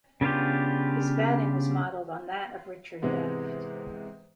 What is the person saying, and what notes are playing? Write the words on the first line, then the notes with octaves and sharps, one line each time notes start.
His batting was modelled on that of Richard Daft.
C#3 B3 D4 F4 G4
G#2 C3 E3 G#3 B3